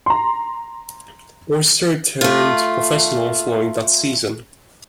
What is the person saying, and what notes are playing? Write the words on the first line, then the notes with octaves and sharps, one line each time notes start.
Orser turned professional following that season.
A#5 C6
A3 F4